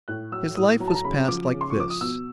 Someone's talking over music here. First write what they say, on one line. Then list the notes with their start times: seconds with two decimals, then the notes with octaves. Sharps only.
His life was passed like this.
0.08 A2 F#6
0.32 F#3 E6
0.57 A2 D#6
0.80 F#3 A#5
0.88 A5
0.95 A#5
1.04 C#3 B5
1.28 F3 D6
1.53 C#3
1.61 C6
1.70 C#6
1.76 F3 D6
1.90 D#6
2.00 B2 E6